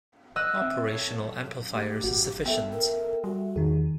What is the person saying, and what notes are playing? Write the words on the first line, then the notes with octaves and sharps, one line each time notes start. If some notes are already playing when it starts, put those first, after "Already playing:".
Operational amplifiers are sufficient.
D#5 E6 F#6
C4 E5
A4 C#5
A3 G4
G#1 F#4
B3 A4 E5 G5
A#4
G3 F#4
E2 D#3 G#4